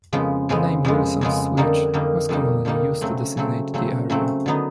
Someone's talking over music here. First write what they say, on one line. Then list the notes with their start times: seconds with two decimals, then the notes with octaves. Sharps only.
The name "Wilson's Switch" was commonly used to designate the area.
0.13 F2 C#3 F3 G#3 B3
0.49 F2 C#3 F3 G#3 B3
0.85 F2 C#3 F3 G#3 B3
1.21 F2 C#3 F3 G#3 B3
1.57 F2 D3 G3 A#3 D#4
1.94 F2 D3 G3 A#3 D#4
2.29 F2 D3 G3 A#3 D#4
2.65 F2 D3 G3 A#3 D#4
3.01 C#3 F#3 A3 C4
3.37 C#3 F#3 A3 C4
3.74 C#3 F#3 A3 C4
4.10 C#3 F#3 A3 C4
4.46 D3 F#3 B3 D#4